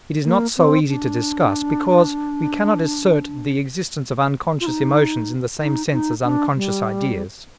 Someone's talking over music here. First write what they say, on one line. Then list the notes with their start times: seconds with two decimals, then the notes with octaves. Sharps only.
It is not so easy to discuss, because we cannot assert the existence of unconscious emotions in the same sense as unconscious ideas.
0.25 A#3
0.57 C4
0.88 D4
4.61 F4
4.67 D#4
5.61 D#4
5.92 D#4
6.24 D4
6.56 G3